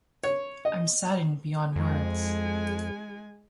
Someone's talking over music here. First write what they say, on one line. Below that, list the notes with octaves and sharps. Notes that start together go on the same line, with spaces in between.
I'm saddened beyond words.
C#5
D#5
F2 G#3 G#5